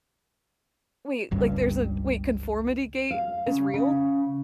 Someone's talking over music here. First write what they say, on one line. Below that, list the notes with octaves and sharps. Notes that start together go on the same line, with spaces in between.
Wait. Like there's a wait, conformity gate is real?
G1 C#2 G2
F5
C#3
C#3